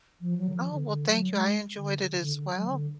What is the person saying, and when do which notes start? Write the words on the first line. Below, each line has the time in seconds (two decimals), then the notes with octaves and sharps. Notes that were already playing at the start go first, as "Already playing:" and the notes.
Oh, well, thank you. I enjoyed it as well,
0.21 F3
0.38 F#3
0.49 D3
0.54 F3
0.71 D3
0.87 D3
1.09 F#3
1.32 G#3
1.76 D3
1.97 C#3
2.12 C#3
2.20 D3
2.36 D3
2.52 F#3
2.69 D3